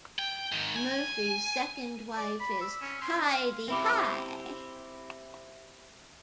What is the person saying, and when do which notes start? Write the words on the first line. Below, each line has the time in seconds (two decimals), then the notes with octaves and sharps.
Murphy's second wife is Hi-de-Hi!
0.19 G5
0.52 G#2 D#3
0.76 G#5
2.17 D5
2.40 B5
2.61 E6
2.82 C#4
3.02 C6
3.32 F5
3.68 C4 E4 G4